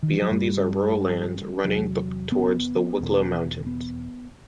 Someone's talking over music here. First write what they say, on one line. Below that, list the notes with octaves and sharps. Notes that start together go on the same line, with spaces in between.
Beyond these are rural lands, running towards the Wicklow Mountains.
D#3
E3
F#3
G2 G3
E2 C3 F#3
B3
E2 B2
B3